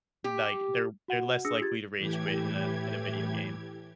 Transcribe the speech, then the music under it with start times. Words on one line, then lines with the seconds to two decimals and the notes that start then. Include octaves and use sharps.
like, they're they're less likely to rage quit in a in a video game,
0.24 G4
1.08 F#4 F#5
1.45 D4 G#4 D#6 E6 A#6 C#7
1.61 F4 G4 G#6 A6
1.97 A2 E3 G4 G#6